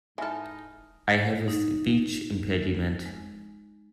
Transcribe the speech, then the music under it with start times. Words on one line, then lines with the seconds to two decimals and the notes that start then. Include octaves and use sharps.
I have a speech impediment.
0.18 G#2 E3 G#3 D#4 A4 G#5 F6
1.48 D#4
3.06 G#3